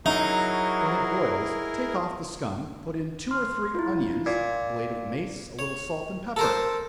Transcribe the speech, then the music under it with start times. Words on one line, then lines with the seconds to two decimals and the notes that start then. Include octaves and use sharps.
When it boils, take off the scum, put in two or three onions, a blade of mace, a little salt and pepper.
0.06 F#3 D#4 E4 G#4 A#4
3.31 C6 F6
3.75 E4 F4
4.26 A#2 G#6
5.59 C#5
6.37 A4 A#4 C5